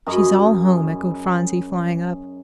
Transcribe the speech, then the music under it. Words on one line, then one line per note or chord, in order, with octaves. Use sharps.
"She's all home," echoed Phronsie, flying up.
F#2 G#4 D#5 B5